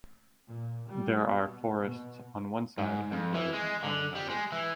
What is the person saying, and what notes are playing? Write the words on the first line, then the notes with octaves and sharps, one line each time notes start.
There are forests on one side and roads on another.
A#2
G3
B2
B2
G#2
F2
E3
G#3
D3
G3
G#3
E3